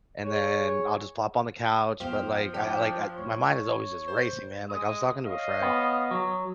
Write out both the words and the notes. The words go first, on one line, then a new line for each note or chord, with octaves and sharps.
and then, I'll just plop on the couch, but, like, I I, like, I my mind is always just racing, man, like, I was talking to a friend,
G#4 C#5
F#2 F3 B3 G4 C5 F5
D4 G4
A3 C#5
C5
G#3 D#6
C#5 D#5 F5
B3
F#3